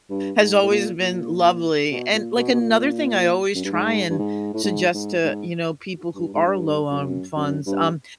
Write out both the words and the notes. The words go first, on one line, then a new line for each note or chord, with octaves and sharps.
has always been lovely, and like another thing I always try and suggest to, you know, people who are low on funds, um,
G2
G#2
A2
A#2
A#2
B2
A#2
B2
B2
A#2
F#2
G2
G#2
G2
G#2
A2
G#2
G#2
G#2
G2
G#2
G2
F#2
F#2
G2